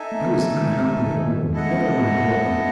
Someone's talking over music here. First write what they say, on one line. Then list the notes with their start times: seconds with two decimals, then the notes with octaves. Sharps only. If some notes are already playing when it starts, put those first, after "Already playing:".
I was unhappy at home--never mind why.
Already playing: D#4 A4 E5 G#5
0.12 A3
0.21 B3
0.30 A3
0.59 G#3
0.82 B3
1.06 D#3
1.29 D#3
1.53 G#3 E4 A4 D#5 F#5
1.69 C#4
1.76 B3
2.01 B3
2.24 A3
2.46 B3
2.54 C#4